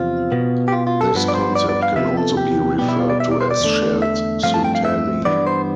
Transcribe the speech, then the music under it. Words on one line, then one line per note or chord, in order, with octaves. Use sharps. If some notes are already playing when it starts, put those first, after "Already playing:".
This concept can also be referred to as shared synteny.
Already playing: E2 C3 F3 C4 F4
B2 B3
G4
F4
F4
A4
G2 F3 B3
D5
C5
D5
D5
F5
C3 F3 B3 E5
A4
G4
B2 G3 B3 G4
E4
F4
D5
E5
D5
C5
D5
E2 D3 A3
E5
G2 F3 A3 C4 F5
A5
G5
F5
E5
G2 E3 B3 D5
C5